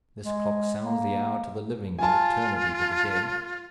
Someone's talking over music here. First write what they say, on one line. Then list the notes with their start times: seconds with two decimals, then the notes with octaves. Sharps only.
This clock sounds the hour to the living, and eternity to the dead.
0.25 G#3
0.85 A#3
1.99 F4 G#5 A5